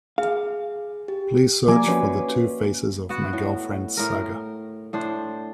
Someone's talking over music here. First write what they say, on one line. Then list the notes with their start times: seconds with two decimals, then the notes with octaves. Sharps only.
Please search for the Two Faces of My Girlfriend saga.
0.18 G#4 F5
1.08 G4
1.68 F3 A#3 D5 G#5 D6
1.88 A#3 C#4 F#4 B4
3.09 B3 F#4
3.33 A2
3.97 A2 A#4
4.93 A2 D4 C5